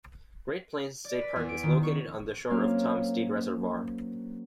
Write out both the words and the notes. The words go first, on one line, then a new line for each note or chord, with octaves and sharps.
Great Plains State Park is located on the shore of Tom Steed Reservoir.
D5
B4
E2
D7
D#3
C#6
F#3 A#3 C4 C#4 F5